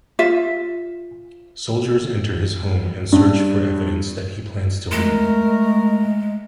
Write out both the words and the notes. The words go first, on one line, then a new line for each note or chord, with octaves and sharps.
Soldiers enter his home and search for evidence that he plans to leave.
F4 E5
G2
G#3 A3 A#4